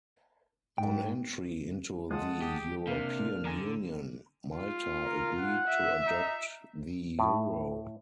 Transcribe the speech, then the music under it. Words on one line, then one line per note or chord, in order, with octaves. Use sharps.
On entry into the European Union, Malta agreed to adopt the euro.
G#2 G5
G#3 F4 F#5 A5 D#6
G4 G#4
C3 A#3 D4 F6
D3 G#5 A#5
F4
A#4
F#5
E5
D#4
A2